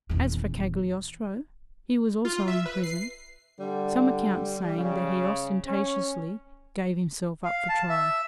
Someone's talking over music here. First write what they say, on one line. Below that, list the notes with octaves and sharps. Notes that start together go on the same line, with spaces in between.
As for Cagliostro, he was also imprisoned, some accounts saying that he ostentatiously gave himself up for trial.
D#1 E2
F4
E5
B4
C7
D3 G3
C#3
C#4
F5
A5
E5